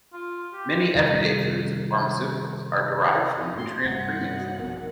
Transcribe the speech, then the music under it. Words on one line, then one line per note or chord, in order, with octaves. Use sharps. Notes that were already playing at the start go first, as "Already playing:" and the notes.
Many everyday foods and pharmaceuticals are derived from nutrient premixes.
F4
G4
C3 D#3 G3
D#4
A3 F#4 C6
G2 C3 C4 F#5
F#4 C#5
A#1 B2 B3 F#4 A#4